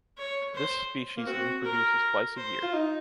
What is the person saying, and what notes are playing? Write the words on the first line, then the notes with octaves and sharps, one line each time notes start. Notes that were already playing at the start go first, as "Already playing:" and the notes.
This species reproduces twice a year.
C#5
C5
A#3
C4 F#4
A#4
C5
F4
D#4